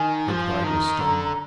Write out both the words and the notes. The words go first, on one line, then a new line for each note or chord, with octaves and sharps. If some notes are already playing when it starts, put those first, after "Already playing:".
Her pride was stung.
Already playing: D#3 G#5
F3
D#3 A#5
D3